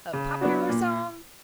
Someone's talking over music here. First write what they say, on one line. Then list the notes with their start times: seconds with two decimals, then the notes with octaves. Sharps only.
"A popular song?"
0.13 C#3
0.41 F#3 B3 D4 F#4
0.69 A#2